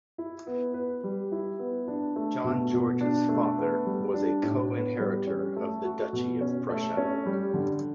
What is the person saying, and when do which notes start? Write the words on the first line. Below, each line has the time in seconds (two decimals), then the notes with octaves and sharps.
John George's father was a co-inheritor of the Duchy of Prussia.
0.18 E4
0.47 B3
0.74 B4
1.03 G3
1.32 E4
1.59 B3
1.88 D4
2.16 A3
2.44 B2
2.73 B2
3.01 D4
3.29 A3
3.58 B3
3.86 G3
4.14 D4
4.43 A2
4.71 B3
4.99 G3
5.27 C#4
5.56 A3
5.84 F#4
6.13 B2
6.41 C#4
6.70 A3
6.97 C#4
7.26 G3
7.54 D3